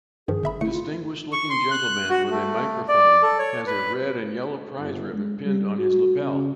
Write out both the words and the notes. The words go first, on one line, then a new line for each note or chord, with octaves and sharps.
Distinguished looking gentleman with a microphone has a red and yellow prize ribbon pinned on his lapel.
G2 D#3 F3 G#4
G1 E5 B5
G1 A3 E4 C#7
F4
C#6
C6
F#6
F#4
A3
D5
A4
C#5
B4
G1
G#3
G3
F#4
C#3